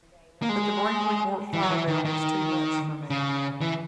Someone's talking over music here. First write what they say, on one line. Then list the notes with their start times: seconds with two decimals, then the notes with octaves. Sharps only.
But the Brinkley Court fire bell was too much for me.
0.42 A#3
0.49 G#3
1.53 E3
1.63 F#3
1.70 E3
1.88 D#3
2.05 D#3
3.10 C#3
3.61 E3